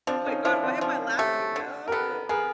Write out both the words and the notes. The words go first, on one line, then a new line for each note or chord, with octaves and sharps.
my god, why am I laughing? No,
F3 C4 D4
C#4 D#4
F3 D4 E4
C4 D4
F3 C#4 D#4
A3 G4 A4
D3
A#4
B3 A4 B4
B3 G#4 A#4